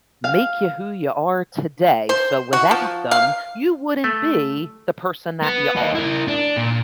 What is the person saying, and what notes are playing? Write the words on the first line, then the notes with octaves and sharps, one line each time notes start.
make ya who you are today, so without them, you wouldn't be the person that ya are.
F5
C5
F#4
F3
F5
A3
B3
A#3 D#4
E4 A#4
D4
A#2